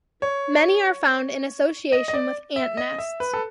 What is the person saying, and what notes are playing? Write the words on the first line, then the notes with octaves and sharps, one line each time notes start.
Many are found in association with ant nests.
C#5
D#5
D#5
D5
E5
D#5
E5
B4
A4